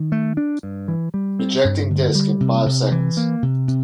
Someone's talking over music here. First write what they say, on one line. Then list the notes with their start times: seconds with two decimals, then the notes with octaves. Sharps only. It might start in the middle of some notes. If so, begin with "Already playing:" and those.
Ejecting disk in five seconds.
Already playing: D#3
0.12 A3
0.37 D4
0.63 G2
0.88 E3
1.14 G3
1.39 C4
1.64 G2
1.90 D3
2.15 G3
2.40 C3
2.66 C3
2.92 E3
3.17 A#3
3.42 C3
3.68 C3